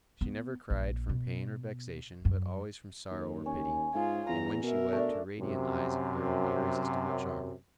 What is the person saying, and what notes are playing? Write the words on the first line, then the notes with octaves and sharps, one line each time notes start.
She never cried from pain or vexation, but always from sorrow or pity, and when she wept her radiant eyes acquired an irresistible charm.
B3
A#1
B2
F#2
D#2
C#4
G#2 F4 G#4
E2 A#5
B2 A#4 E5
A3 D4
F#2 C3